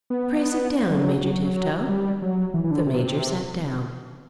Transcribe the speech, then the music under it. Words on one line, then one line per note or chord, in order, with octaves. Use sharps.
"Pray sit down, Major Tifto." The Major sat down.
B3
F#3
F#3
G3
F#3
E3
E3
D3
C3